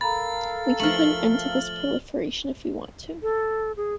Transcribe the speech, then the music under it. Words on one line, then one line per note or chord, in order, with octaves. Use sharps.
We can put an end to this proliferation if we want to.
A4 A#4 F5 A#5 B5 A6
F3 A3 F6 F#7
A4
G#4